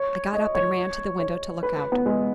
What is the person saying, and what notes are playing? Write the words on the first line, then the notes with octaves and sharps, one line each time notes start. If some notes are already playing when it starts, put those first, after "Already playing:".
I got up, and ran to the window to look out.
Already playing: C#5
D#5
C#5
C#5
B4
B4
B3
G#3